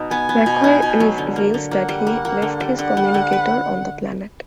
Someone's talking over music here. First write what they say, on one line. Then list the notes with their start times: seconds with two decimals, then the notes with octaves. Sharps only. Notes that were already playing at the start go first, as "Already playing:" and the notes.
McCoy reveals that he left his communicator on the planet.
Already playing: B2 D#4
0.10 B3 G#5
0.29 B3
0.46 B2
0.64 D#4
0.82 B2
1.00 F#3
1.18 D3
1.36 A#3
1.54 D3
1.71 A#3 F#5
1.89 G3
2.07 A#3
2.25 A#3
2.42 D3
2.60 G3
2.79 D3 F#5
2.97 G3
3.14 D3
3.33 B4